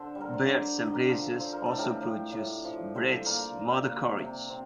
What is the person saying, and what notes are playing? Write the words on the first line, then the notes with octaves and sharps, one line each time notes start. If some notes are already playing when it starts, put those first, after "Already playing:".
Belt and Braces also produced Brecht's "Mother Courage".
Already playing: D3 A4 C5
G3
A#4
C5
D3 A#4 D5
D3 D5
D#5
A#4 D5
F3 A4 C5
F3 C5
A#4
A4
A2
G4 A#4
A2
A2
F3
G3 A4 C5
A#3 A#4 D5
A#3
A#3
C3
C4